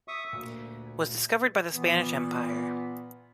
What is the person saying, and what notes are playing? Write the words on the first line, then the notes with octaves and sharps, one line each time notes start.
Was discovered by the Spanish empire.
E5 C#6 D#6
D2 A#2
A#2 E3 B3